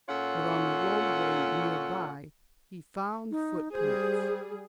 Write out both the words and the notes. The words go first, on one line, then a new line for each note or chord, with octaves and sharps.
But on the roadway near by he found footprints.
A#2 C#4 F4 A4 C#5 F#5
D#4
G3 G#4 C5